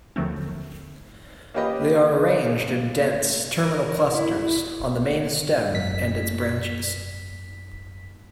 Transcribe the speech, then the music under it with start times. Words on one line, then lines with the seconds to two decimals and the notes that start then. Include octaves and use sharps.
They are arranged in dense, terminal clusters on the main stem and its branches.
0.16 D#2 D3 F3 F#3 A3 C4
1.54 A#3 C#4 F4 G4 B4 D#5
3.56 A#4
4.11 E4
5.72 F#2 B6